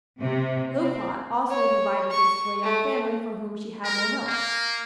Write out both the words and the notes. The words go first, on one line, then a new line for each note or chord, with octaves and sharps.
'Loquat' also provided this for a young family for whom she had no milk.
C3
C4
C#5
C#6
A3
A#4
A#3